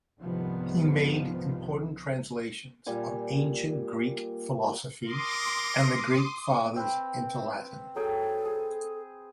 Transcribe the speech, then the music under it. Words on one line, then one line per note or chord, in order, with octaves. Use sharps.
He made important translations of ancient Greek philosophy and the Greek Fathers into Latin.
C2 G#2 C3 D#3 F3 B3
A#2 G3 G#5
A#4 C6 D6 D#6
C4 B4
F#3 G#4 A4 G5
G#4